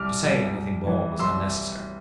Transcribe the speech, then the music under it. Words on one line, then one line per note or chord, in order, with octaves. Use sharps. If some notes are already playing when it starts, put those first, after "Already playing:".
To say anything more was unnecessary.
Already playing: C2 D6 F6
C2
C2
E3
C2 C6 E6